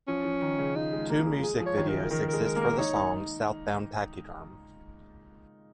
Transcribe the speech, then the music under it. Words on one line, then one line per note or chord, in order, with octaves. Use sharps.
Two music videos exist for the song "Southbound Pachyderm".
F3 C#4
F3
D#3
C#3
F3 D#4
G#3
A#3
G#3
F3
G#3 G#4
F3
C#5
D#3
A#4
C#3
D#3 A#4
A#4
G#3
A#4
A#3
A#4
D#4 C#5
D#4